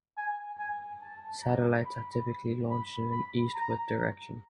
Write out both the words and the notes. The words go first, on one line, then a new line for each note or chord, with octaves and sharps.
Satellites are typically launched in an eastward direction.
G#5
G#5
A5
A#5
B5
B5
B5
A#5